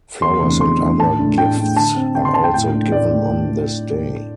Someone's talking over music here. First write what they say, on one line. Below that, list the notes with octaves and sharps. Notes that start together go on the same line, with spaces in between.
Flowers and other gifts are also given on this day.
E2 C6
C3 E3 A3 D4
E2 C6
C3 E3 A3 D4
A2 A5
A3 D4
A2 G5
A3 D4
D3 A5
C4
D3 G5
C6
C4 A5
G5
A2 G5
A3 D4
A2 D5
A3 D4